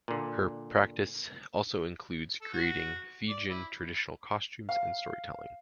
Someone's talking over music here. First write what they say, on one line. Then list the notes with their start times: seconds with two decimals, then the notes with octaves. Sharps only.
Her practice also includes creating Fijian traditional costumes and storytelling.
0.08 A#2 D3
2.42 A4
2.54 F#4
3.29 D5
3.50 E4
4.69 F5